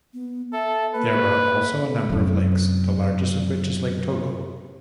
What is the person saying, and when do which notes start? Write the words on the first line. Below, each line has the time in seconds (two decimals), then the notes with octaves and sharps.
There are also a number of lakes, the largest of which is Lake Togo.
0.14 B3
0.53 A4 E5
0.95 A#3 B4
2.09 F#2 C3